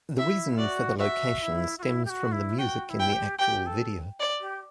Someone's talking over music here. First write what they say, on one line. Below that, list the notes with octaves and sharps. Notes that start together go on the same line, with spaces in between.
The reason for the location stems from the music in the actual video.
E4 E5
F#4 D5
F#4 E5
F#4
E4
F#4
E4
G4
F#4
E4
F#4 G5
F#4
E4
G5
G4
G4 G5
A4
D5
G4